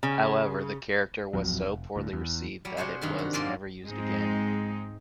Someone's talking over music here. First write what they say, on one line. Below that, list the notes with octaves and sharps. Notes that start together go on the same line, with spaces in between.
However, the character was so poorly received that it was never used again.
C#3
D1 A#1 F2 F#3
F1
D2 A2
E2
F#3 G3
C3 F#4 G#4 C5
G2 D#3 C6
F#4
G#2 F3 A#3 G#4 D5 C6
G#2 G#3 C4 D#4